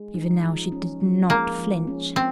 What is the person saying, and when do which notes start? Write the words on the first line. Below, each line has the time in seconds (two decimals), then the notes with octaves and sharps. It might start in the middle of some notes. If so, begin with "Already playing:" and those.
Even now she did not flinch.
Already playing: G#3
0.14 D#4
0.44 F3
0.72 C#4
1.01 F3
1.30 G#3 A#3
1.59 F3
1.87 C#4
2.16 C4